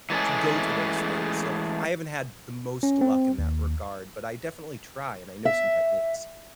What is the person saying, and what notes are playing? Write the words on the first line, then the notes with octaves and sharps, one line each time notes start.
to go to those things. So I haven't had the most luck in that regard, but I definitely try, and I know some techniques.
E3 G#3 A3 C#4 G#4
C#4
C4
D#2
E5